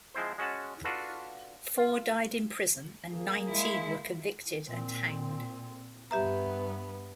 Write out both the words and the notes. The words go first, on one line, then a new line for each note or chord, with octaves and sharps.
Four died in prison and nineteen were convicted and hanged.
F3 G#3 C4 E4 C5
G#3 C#4 F#4 F#5 A5
D4 F4 F#4 A4 B4
F4
A#3 G#4
G#3 E4
A#2 C4
G2 B3 G4 E5 A#5